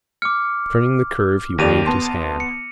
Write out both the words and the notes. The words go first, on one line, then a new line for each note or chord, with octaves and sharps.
Turning the curve he waved his hand.
D6 F6 C#7
D#2 G4 D5 A#6 D#7 F7
B3 A5 C6
C#7